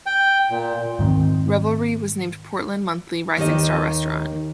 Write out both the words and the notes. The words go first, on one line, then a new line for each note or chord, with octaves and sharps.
Revelry was named "Portland Monthly" "rising star restaurant".
G5
A#2
G#2 D#3 C4
D#2 D#3 G4 D#5